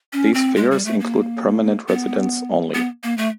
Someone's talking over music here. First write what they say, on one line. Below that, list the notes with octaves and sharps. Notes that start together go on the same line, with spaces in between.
These figures include permanent residents only.
C#4
C4
G#3
G3
A3
A#3
B3
B3
A#3
A3